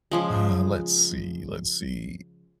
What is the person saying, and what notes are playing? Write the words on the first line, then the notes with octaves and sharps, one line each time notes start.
Uh, let's see, let's see.
C#3 F3 G#3